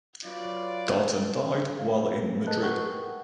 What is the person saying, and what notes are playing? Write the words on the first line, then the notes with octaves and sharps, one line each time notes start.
Darton died while in Madrid.
F#3 F4 B4 C#5 D5
F5
B4
G#4 A#4 B4 D#5 A5 F#6
F#5 G5 C#6